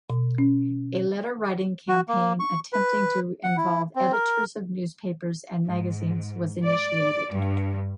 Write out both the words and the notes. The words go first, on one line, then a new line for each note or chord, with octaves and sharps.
A letter-writing campaign attempting to involve editors of newspapers and magazines was initiated.
B2
C#4
F#4
A#3
C#6
B4
F#5
E4
C4
A#4
G#2
D5
G2